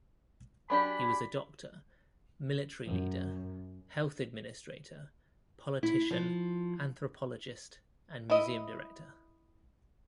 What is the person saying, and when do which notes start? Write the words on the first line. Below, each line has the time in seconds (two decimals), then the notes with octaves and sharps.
He was a doctor, military leader, health administrator, politician, anthropologist and museum director.
0.70 F#3 D4 G4 D5 G#5 B5
2.86 F#2
5.83 E4
6.11 F3
8.30 E4 D#5